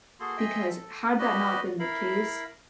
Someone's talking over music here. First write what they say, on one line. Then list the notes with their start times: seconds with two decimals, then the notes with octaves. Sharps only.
Because had that not been the case,
0.20 A#3 F#4 G#4 A4 C6
0.38 D#5 E5 G5 G#5 C6 E6
0.69 A4
1.18 F#4 G4 B4 D5 D#5
1.79 E4 A#4 F5 B5